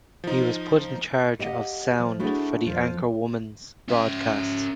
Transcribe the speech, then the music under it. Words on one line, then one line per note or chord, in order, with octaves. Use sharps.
He was put in charge of sound for the anchorwoman’s broadcasts.
F3 D#4
G4 D#5 F5 F#5
F3
A3 D4 E4 F#4 G#4 C#5
F2 F3
C#4 E5